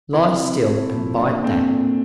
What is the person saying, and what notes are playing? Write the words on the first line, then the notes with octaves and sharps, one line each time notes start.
Lie still and bite that.
C3 E4
C3
A3
F3
A#2 D4
A3 C4
A#2